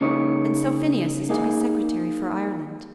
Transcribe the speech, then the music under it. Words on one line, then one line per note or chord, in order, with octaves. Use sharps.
And so Phineas is to be Secretary for Ireland!
C#3 A#3 D#4 C#5
A#3 D#4 G#4